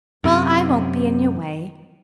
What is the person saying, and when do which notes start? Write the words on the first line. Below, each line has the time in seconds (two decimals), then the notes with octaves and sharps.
Well, I won't be in your way.
0.24 F#2 C3